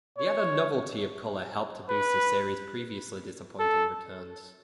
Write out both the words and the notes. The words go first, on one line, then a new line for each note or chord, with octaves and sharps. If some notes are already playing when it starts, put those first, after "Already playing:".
The added novelty of color helped to boost the series' previously disappointing returns.
C#5
B4
A4